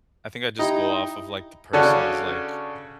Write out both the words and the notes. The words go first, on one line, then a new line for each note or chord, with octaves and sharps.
I think I just go off of, like, the person's, like,
D#4 E4 G4
C#3 C#4 D4 F#4 A4